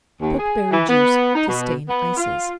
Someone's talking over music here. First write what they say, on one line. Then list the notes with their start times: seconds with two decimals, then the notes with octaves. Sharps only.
Pokeberry Juice to Stain Ices.
0.21 D#2
0.38 G#4
0.71 E3
0.89 B3
1.35 D#4
1.48 B2
1.88 B3
2.17 F4